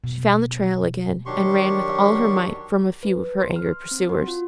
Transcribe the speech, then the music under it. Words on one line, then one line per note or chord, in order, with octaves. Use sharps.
She found the trail again, and ran with all her might from a few of her angry pursuers.
B2
D#3 F#3 D4 G4 C6 C#6
B4
C6
F6
C4
F#4
F4